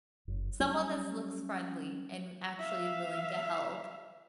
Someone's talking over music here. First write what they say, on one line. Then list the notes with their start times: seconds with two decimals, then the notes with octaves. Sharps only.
someone that looks friendly, and actually willing to help.
0.28 F#1
0.60 F#3 G3 C#4
2.59 E5 F5